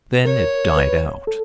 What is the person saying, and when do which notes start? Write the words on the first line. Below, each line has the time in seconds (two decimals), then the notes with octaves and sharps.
Then it died out.
0.25 A#4 C#5
0.77 B4
1.27 A4